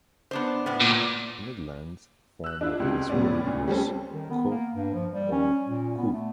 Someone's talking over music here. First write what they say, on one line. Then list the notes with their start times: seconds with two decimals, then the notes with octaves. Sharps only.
The Midlands form of this word was "co" or "coo".
0.31 B3 D4 C5
0.66 A2 B3
0.80 A#2
2.44 E6 F#6
2.61 D4 E4 F4
2.80 C#2 C3
3.09 A2 C3 B3 C#4 D5
3.46 D2
3.68 G3 C4 C#4 A4
4.13 D#3
4.30 B3
4.51 A#3
4.74 G2
4.93 F3
5.13 G3
5.32 C#4
5.66 A#2
5.98 B3
6.13 A3